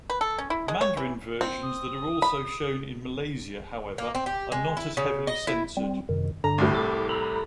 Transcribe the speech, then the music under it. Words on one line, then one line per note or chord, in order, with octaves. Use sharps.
Mandarin versions that are also shown in Malaysia however, are not as heavily censored.
B4
A4
C#4
E4
G#3
C#5
E3
C4
D#6
B5
A#3
C4
G4
G#3
E4
C#3
D#5
E4
G3 C4
F#2 C3 D#3
G2 D3 D4 A#5
C2 A2 G3
A4 D6
A4 A#5 B5